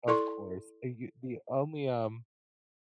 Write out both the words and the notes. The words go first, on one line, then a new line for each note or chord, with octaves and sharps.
Of course, and you the only, um,
E4 A4 D5 C6 C#6